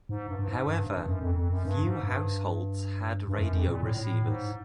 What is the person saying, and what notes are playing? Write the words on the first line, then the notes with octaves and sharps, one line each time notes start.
However, few households had radio receivers.
G#2
G2
G2
G#2
G2
G2
G2
F#2
F2
F2
F#2
G2
G#2
G2
G2
F#2
F2
A#2
A2
A2
G#2